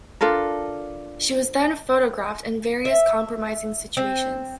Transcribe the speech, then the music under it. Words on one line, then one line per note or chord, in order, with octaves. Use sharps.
She was then photographed in various compromising situations.
D4 F4 A4 A#4
E5
C4